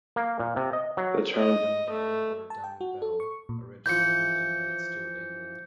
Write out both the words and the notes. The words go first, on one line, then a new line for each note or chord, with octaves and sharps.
The term "dumbbell" or "dumb bell" originated in late Stuart England.
A#3
A#2
C3
D#5
F#3
D#5
A3
A5
G5
F#4
A4
C#6
A#2
E3 F3 G6 C#7